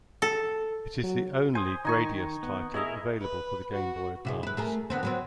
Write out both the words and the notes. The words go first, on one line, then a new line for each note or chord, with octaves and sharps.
It is the only "Gradius" title available for the Game Boy Advance.
A4
F#3
C5 G#5 D#6
D#3 D#4 G#5 C#6
B3
E4 G#4 A#4 D#5 E5
B4
F#4
C3 E4 G#4
E4 B4
A3 G#4 A#4
D3 B3 C4
F#3 B3 C4